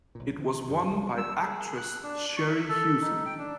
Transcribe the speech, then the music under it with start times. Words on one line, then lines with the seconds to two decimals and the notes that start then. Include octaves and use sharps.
It was won by actress Sherrie Hewson.
0.15 B1 A#2
0.38 D3 E3 C4
0.67 F#2 D#3
0.90 F#1 C#2
1.18 E6
1.42 G#4
1.77 F#6
2.03 D4
2.37 C#6
2.49 E5
2.69 A4
3.01 D#4
3.26 G5
3.38 D4